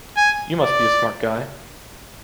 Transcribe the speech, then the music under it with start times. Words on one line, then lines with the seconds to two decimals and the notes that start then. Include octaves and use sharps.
You must be a smart guy!
0.17 G#5
0.63 D5